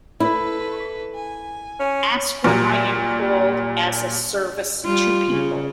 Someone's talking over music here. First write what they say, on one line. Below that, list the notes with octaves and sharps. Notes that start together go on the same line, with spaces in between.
Ask what I am called as a service to people.
E4 A4 B4
G#5
C#4
A#2 F#3 G3
G3 F4
C#3